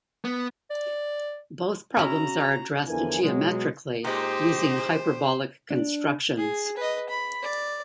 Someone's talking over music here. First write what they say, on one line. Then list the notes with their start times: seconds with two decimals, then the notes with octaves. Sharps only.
Both problems are addressed geometrically using hyperbolic constructions.
0.25 B3
0.70 D5
1.97 C#4 E4 F#4 A#5
2.87 E2 D3 E3 F3 A#4 G#5
3.23 B2 F#3 G#3
4.04 A#2 G#3 D#4 G4 C5
5.71 D4
6.37 G#4
6.77 B4 D#5
7.09 B5
7.43 D5